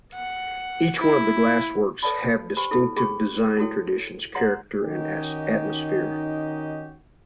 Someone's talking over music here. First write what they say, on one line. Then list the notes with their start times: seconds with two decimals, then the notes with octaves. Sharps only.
Each one of the glassworks have distinctive design traditions, character and atmosphere.
0.15 F#5
0.99 E4
2.03 A4 B4 C#5 D5 A5 B5
2.57 G4 C5 G#5 B5
2.71 E4 A4 B5
2.96 G#4 G5 B5 C#6
3.58 E4 F#4 A4 C#5 G5
4.35 C#5 F#5 A#5 C6
4.82 D#3 C#4 D#4 F#4 G4 D#5